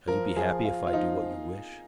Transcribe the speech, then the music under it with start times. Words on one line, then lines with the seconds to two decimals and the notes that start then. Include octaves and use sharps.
"Shall you be happy if I do what you wish?"
0.08 F3 A#4
0.36 F3 G#4
0.65 F3 F4
0.87 F4
0.93 F3 D#4